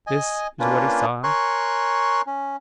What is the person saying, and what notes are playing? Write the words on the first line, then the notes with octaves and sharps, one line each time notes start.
This is what he saw.
D#5 G#5
A#3 C#4 D4 F4 B4
A#4 C#5 G#5 C6 C#6 F#6
C#4